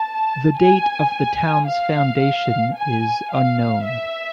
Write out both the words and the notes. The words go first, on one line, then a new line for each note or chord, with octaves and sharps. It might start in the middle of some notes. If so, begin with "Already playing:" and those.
The date of the town's foundation is unknown.
Already playing: A5
G#5
F5
G#5
F5
E5